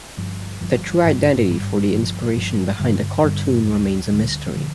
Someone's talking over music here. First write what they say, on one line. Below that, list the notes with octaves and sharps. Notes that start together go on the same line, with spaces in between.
The true identity for the inspiration behind the cartoon remains a mystery.
G1 G2 F3
G1 G2 F3
G#1 G2 D#3 G3
G#1 G2 D#3 G3
G1 G2 F3
G1 G2 F3
G2 D3 G3
G2 D3 G3
D2 D3 G3
D2 D3 G3
D3 F3